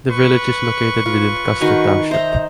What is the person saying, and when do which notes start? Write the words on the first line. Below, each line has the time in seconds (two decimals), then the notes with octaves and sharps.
The village is located within Custer Township.
0.10 B4 C#6
1.06 F4 B4
1.61 D#3 F#4 G#5 A#5
2.11 D#4 C5 E5 A#5